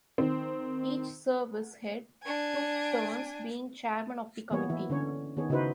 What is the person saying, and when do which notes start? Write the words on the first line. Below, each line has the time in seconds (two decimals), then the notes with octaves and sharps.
Each service head took turns being chairman of the committee.
0.18 D#3 C4
2.23 D4 G#5
4.51 E3 A#3 B3 G#4 C#5
4.69 E3 E4
4.90 D3 C#4 C#5
5.37 D#3 B3 G#4 C#5
5.49 C#3 D#4 E4 F#4 B4 C5